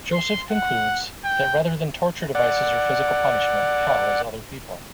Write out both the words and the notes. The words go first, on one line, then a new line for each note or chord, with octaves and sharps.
Joseph concludes that rather than torture devices or physical punishment, hell is other people.
C6
F#5
G5
D5 F#5